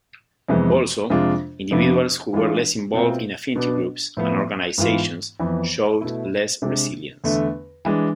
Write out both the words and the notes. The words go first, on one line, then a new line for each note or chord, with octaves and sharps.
Also, individuals who were less involved in affinity groups and organisations showed less resilience.
F2 C3 E3 G#3 B3
F2 C3 G#3 D4 F4
F2 C3 F3 B3 D4
E3 G#3 D4 F4
B2 A3 C4 F4
B2 B3 D4
A2 F3 B3
G#2 E3 B3 F4
F2 E3 B3
B2 A3 E4
C3 G#3 D4
E2 D3 A3
E3 G#3 D4